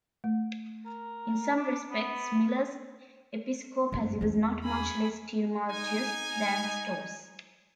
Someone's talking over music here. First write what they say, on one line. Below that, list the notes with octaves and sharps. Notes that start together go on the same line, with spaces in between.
In some respects, Miller's episcopacy was not much less tumultuous than Stough's.
A3
A#4
D4
B3
G2 D4
E2 C#4
G#4 B5
D#4 G#5